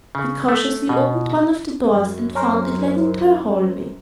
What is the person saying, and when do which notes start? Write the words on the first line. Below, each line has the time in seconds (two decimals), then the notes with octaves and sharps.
He cautiously opened one of the doors and found it led into a hallway.
0.15 C#3
0.48 A3
0.89 B2
1.91 F#2
2.35 C#4 A#4 C5